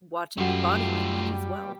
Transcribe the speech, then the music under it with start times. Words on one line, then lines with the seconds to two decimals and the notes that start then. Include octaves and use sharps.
watching the body language as well.
0.38 F#2 G3 A3 F4 F#4